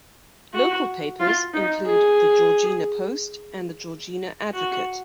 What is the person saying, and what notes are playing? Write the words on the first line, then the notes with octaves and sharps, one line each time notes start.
Local papers include the "Georgina Post", and the "Georgina Advocate".
F#4
F4
D#4
G#4
F#4